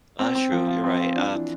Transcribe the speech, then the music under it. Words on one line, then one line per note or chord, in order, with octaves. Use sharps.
That's true, you're right. Uh,
C4
C4
F3
F4
C4
F4
D4
E3